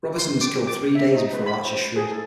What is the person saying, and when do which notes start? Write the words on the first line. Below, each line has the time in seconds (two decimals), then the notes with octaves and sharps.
Robinson was killed three days before Archer-Shee.
0.18 C6
0.41 D6
0.67 D6
0.95 E5
1.15 D#4
1.33 B4
1.46 B5
1.65 C5
1.96 G#4
2.10 A4